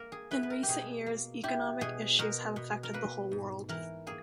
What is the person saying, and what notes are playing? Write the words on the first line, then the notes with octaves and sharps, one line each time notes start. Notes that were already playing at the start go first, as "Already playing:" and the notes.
In recent years, economic issues have affected the whole world.
Already playing: A#3 A#4
G#4
E4 B4
B4
A#4
G4
B2 G#4
A#3
E4 G4
B2 G#4
B2 A#4
B2
A#4
A#3 B4
G#2
E3 A#4
A#3 G#4